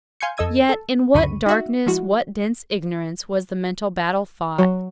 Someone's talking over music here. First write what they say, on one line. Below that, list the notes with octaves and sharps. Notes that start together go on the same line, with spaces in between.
Yet in what darkness, what dense ignorance, was the mental battle fought!
F5 G#5 C6 G6 G#6 C#7
F2 A4 D#5 E6 G#6 D#7
A4
C#2 F#2 D3 B5 C#6 D#7
D#4 F#4 E5
F3 G#3 E4 F#4
F#3